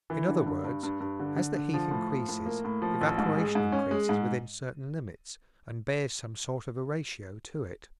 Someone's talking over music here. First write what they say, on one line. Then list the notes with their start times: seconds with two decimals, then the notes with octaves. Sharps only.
In other words, as the heat increases evaporation increases within certain limits and bears some sort of a ratio to it.
0.10 E3
0.28 D3
0.46 G2
0.64 G2
0.83 G2
1.00 G2
1.20 D3
1.37 D3
1.55 D3
1.74 F3
1.91 A2
2.10 F3
2.29 A2
2.46 A#3
2.65 A2
2.82 F3
3.01 A1
3.18 G#2
3.37 G#3
3.55 G#2
3.72 C#4
3.91 G#3
4.09 G#2